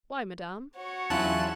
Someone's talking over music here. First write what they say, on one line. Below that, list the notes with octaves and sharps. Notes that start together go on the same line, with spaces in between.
"Why, madame?"
F#4 C#5
E2 F#3 C#4 E4 F4 A5 F#6